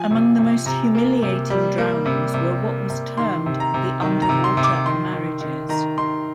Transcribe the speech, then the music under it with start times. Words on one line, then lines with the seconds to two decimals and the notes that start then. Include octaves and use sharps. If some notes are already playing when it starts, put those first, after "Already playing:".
Among the most humiliating drownings were what was termed the "underwater marriages".
Already playing: F3 G#5
0.11 C3
0.39 C3
0.66 C3 A#5
0.95 A#3
1.22 C3
1.50 G3
1.78 A#3
2.06 C3
2.34 C3
2.62 A#3
2.90 C3
3.18 D#3 C6
3.46 C3
3.60 A#5
3.74 C3
4.02 D#3
4.22 A#5
4.29 C3
4.44 C6
4.57 C3
4.64 D6
4.86 D#3 C6
5.13 D#3
5.41 D#3
5.69 D#3 A#5
5.98 D#3 C6